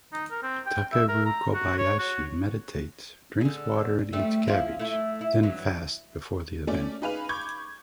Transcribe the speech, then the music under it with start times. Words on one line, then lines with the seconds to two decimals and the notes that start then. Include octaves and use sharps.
Takeru Kobayashi meditates, drinks water and eats cabbage, then fasts before the event.
0.13 D#4
0.31 A#4
0.43 C4
0.66 G5
0.92 E5
1.09 A#4
1.25 A#5
1.54 F#4
1.78 C#5
1.99 F#4
3.41 D3 G#4
4.13 G3 A3 C4
4.47 F3 E4 F4
4.79 A3 E4
5.21 E4
5.43 G2 E3 F#3
6.67 A3 C#4 D5
7.02 D#4 G#4 B4 F5 B5 F7
7.29 B5 C#6 D6 G6 G#6